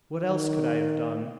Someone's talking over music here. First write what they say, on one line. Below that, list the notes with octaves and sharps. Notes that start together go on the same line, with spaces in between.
What else could I have done?
D#3